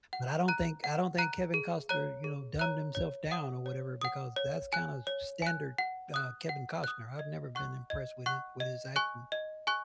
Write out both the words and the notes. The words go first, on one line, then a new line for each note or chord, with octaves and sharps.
but I don't think I don't think Kevin Costner, you know, dumbed himself down or whatever because that's kinda s standard, uh, Kevin Costner, I've never been impressed with his with his acting.
F#5
A#5 F#6
F#5
A#5 F#6
G#4
C#5 A#5 F#6
G#4
C#5 A#5 F#6
C#5
F#5 D#6
C#5
F#5 D#6
C#5
G#5 F#6
C#5
G#5 F#6
F#5
D#6 F#6
F#5
D#6 F#6
D#5
F#5 C#6 F#6
D#5
F#5 C#6 F#6
D#5
G#5 C#6 F#6
D#5
G#5 C#6 F#6